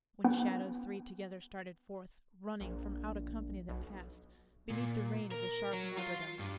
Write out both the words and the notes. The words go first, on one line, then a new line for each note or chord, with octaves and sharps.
When shadows three together started forth, Running, from out a company that passed Beneath the rain of the sharp martyrdom.
B3
A#1
B1
A#2
A#4
F#3
F4
G2